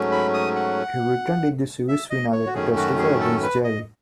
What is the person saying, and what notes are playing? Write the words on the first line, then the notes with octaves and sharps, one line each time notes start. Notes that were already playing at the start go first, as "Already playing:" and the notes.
He returned in the series finale to testify against Jerry.
Already playing: G#2 F#3 A3 C#4
B5
D#6
F#5
E5
D#5
C#5
F#4
F#2 D#3 A3 C#4 G#4
F#4
G#4
A4
B4
D#5